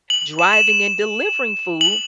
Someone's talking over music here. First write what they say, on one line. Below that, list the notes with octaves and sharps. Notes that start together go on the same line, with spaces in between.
driving and delivering food
F#7
E7
E7
E7
F#7